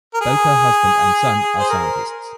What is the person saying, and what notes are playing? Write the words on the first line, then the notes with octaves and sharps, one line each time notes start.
Both her husband and son are scientists.
A#4
G#4
C5
A#4